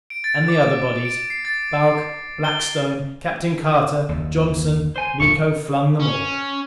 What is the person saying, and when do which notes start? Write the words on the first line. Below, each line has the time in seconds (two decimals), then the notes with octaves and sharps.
And the other bodies, Balch, Blackstone, Captain Carter, Johnson--Miko flung them all.
0.10 D7
0.24 A6
0.48 D6
1.05 D7
1.30 C7
1.45 A6
2.44 G7
4.09 F#1 D#2
4.96 C5 G#5
5.20 D#1 A#1 F#3 F4 C#6 C#7
6.00 C#4